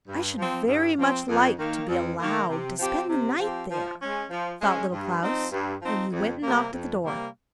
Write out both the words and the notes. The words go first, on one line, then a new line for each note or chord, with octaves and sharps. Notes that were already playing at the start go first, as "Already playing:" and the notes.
'I should very much like to be allowed to spend the night there,' thought Little Klaus; and he went and knocked at the door.
G2
F3 C4
G2
F3 C4
F2
D#3 A#3
F2
D#3 A#3
C3
F3 C4 G4
C3
F3 C4 G4
F3
G#3 C#4
F3
G#3 C#4
G2
F3 C4 D#4
G2
F3 C4 D#4
F2
C3 G3 A#3
F2
C3 G3 A#3